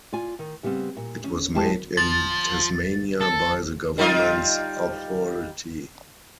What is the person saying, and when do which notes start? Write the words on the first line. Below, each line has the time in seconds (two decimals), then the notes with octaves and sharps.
It was made in Tasmania by the government's authority.
0.12 F4 D5 G#5
0.39 D#3
0.63 C#3 G3 B3 C4
0.97 A#2
1.24 C#4
1.55 G2 E3 G#3 G4 G5 A5
1.97 F3 A6
3.20 A4
3.98 G3 D#4 F4